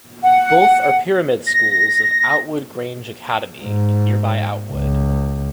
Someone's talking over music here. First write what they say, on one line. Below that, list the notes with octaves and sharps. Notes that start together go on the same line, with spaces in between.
Both are pyramid schools of Outwood Grange Academy in nearby Outwood.
F#5
A#6
G#2
C#2